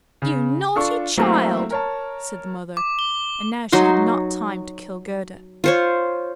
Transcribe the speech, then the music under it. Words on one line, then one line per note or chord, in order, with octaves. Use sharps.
"You naughty child!" said the mother: and now she had not time to kill Gerda.
C#3
D4 F4 A4 C#6
F#3 A3 A#3 C4 E4
A#4 C#5 A5
D6
G7
F#3 D#4 F#4 C6
F4 C5 C#5